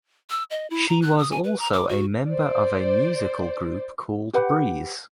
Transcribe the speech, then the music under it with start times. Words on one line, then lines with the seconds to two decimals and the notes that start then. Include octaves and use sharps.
She was also a member of a musical group called Breeze.
0.30 E6
0.51 D#5
0.70 E4
0.89 A#5
1.02 F#6
1.18 D#6
1.31 G#5
1.44 B4
1.59 A#5
1.73 D6
1.89 F#4
2.29 C5 D5
4.33 G4 B4 F#5 B5